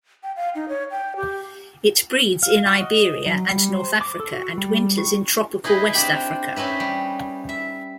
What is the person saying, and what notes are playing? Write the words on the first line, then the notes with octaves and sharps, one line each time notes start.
It breeds in Iberia and north Africa, and winters in tropical west Africa.
G5
F5
D#4
C#5
G5
G4
F5
F#4
D#5
F#3
G3
C5
D6
A4
F#4
G3
C#6
D#4 E4 G#4 B4 D#5
C4 D4 G4 B5
C4 C#4 D#4 B4 E5
G3
E5